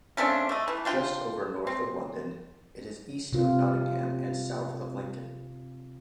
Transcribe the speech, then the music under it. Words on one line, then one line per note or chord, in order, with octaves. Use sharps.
Just over north of London, it is east of Nottingham and south of Lincoln.
C#3 A3 C4 D4
A3 D#5
E3
D4 F4 G5
C4
C3 F4